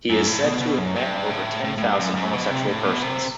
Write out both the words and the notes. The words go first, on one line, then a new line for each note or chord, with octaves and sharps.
He is said to have met over ten thousand homosexual persons.
F#2
A2
B2
B2
F#2
G2
A2
A2
A2
G2
F#2
F#2
B2
C3
A2
B2
C3